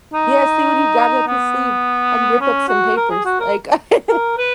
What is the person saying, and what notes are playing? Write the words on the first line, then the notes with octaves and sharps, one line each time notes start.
Yeah, see what he got up his sleeve. I'd rip up some papers, like, if
D#4
B3
C#4
F#4
A#4
G#4
F#4
A#4
A#4
B4